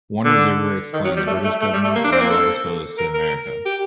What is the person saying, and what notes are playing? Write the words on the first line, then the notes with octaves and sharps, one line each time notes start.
As one observer explained, the British government was well disposed to America.
D3
D#3
F#3
G3
A3
A3
A3
G3
A3
A#3
D4
C4
A#3
A4
A#4
A#4
G4